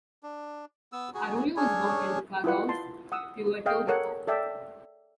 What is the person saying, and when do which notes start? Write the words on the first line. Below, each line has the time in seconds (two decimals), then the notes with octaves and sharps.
Arroyo was born in Caguas, Puerto Rico.
0.23 D4
0.92 B3 E6
1.14 F#4 G#4
1.56 C#4 D4 G#4 C#5
2.44 E4 F4 B4 F#5
2.69 A5 C6
3.12 F#5 D#6 E6
3.66 G#4 D#5 F5 G5
3.87 A4 A#4 C#5 F#5
4.27 A4 D5 E5 G5